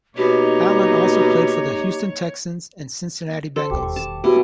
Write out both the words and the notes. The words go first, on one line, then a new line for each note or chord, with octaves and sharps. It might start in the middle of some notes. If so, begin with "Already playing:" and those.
Allen also played for the Houston Texans and Cincinnati Bengals.
B2 A#3 D#4 G4 C#5
A4 C5
E1 D#2 G4
C#6
A5
B2 B3 E4 G4 C#5